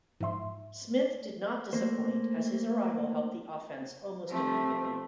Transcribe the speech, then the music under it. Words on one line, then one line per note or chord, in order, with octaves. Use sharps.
Smith did not disappoint as his arrival helped the offense almost immediately.
G#2 F3 E5 C6
A3 A#3 C5
F3 G3 A3 C4